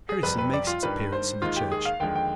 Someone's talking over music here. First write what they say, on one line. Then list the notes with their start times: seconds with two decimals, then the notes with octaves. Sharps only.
Heresy makes its appearance in the Church.
0.09 G#4
0.23 F2 C3 G3 B4
0.38 B4
0.53 D5
0.67 F4
0.83 G2 D#3 G3 B4
1.13 C5
1.42 D#2 D#3 G#3 F4
1.56 G4
1.72 G#4
1.85 F5
2.00 D#2 D3 F3 G#3 G5
2.16 G5